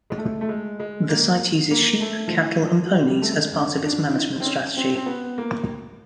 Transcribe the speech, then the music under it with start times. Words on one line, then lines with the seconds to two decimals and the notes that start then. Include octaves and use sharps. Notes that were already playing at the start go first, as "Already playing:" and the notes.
The site uses sheep, cattle and ponies as part of its management strategy.
0.10 G#3
0.18 A3
0.41 A3
0.49 G#3
0.80 G#3
1.09 A#3
1.71 A#3
2.01 A3
2.28 F3
2.32 E3
2.63 F3
2.85 F#3
3.08 G3
3.22 A3
3.32 G#3
3.55 C#4
3.85 D4
4.10 E4
4.16 D#4
4.40 C4
4.46 C#4
4.77 C4
4.96 C4
5.06 B3
5.38 A#3